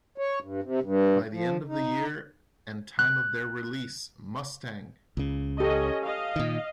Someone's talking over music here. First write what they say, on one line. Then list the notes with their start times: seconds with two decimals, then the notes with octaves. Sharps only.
By the end of the year and time of their release, Mustang!
0.18 C#5
0.42 G2
0.63 C3
0.82 G2
1.33 F3
1.68 D#4
2.99 F#6
5.17 C#2 C#3
5.60 C#4 G4 A4 D#5
6.03 D#5 F5
6.36 A#2 D#3